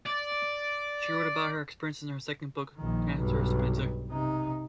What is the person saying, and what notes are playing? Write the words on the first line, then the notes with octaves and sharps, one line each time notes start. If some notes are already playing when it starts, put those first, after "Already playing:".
She wrote about her experiences in her second book, "Cancer Schmancer".
D5
A#1 D#3
B1 G2
C3 D#4